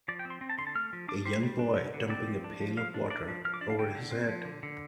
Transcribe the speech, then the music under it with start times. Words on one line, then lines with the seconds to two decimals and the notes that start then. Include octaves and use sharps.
A young boy dumping a pail of water over his head.
0.08 F3 D5
0.19 G5
0.25 C4
0.30 C6
0.41 C4
0.50 A5
0.58 D3 C6
0.67 A5
0.75 A3 F6
0.93 F3
1.08 D4 D6
1.25 G3 C5
1.43 G3
1.59 D4
1.76 D3
1.94 D3
2.10 C4 D5
2.27 F3
2.44 D4
2.60 F3
2.77 F3 F5
2.94 D4
3.10 D4 D5
3.28 F3
3.45 F3 F6
3.54 D6
3.61 D4 D5
3.70 F5
3.79 D3 G5
3.95 D3
4.11 C4
4.29 F3
4.45 D3
4.63 D3